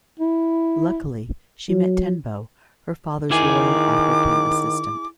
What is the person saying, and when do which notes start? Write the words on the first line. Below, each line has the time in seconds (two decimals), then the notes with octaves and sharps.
Luckily, she meets Tenbo, her father's loyal African assistant.
0.19 E4
1.69 F#3
3.31 D#3 E4 G#4 G#5 D6